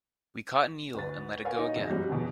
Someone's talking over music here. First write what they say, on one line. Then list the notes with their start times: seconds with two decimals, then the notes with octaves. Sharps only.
We caught an eel and let it go again.
0.95 D2 B4 A6
1.45 A#4 B4 C#5 F5 F#5 G#5
1.58 D#4
1.76 E1 A#6
1.90 F#2 F3 G3
2.09 G#1 E2 B2